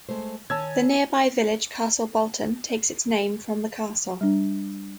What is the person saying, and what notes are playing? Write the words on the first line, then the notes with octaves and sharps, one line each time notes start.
The nearby village Castle Bolton takes its name from the castle.
G#3 A3 C5
D#3 C#4 A5 E6 G#6
G3 D4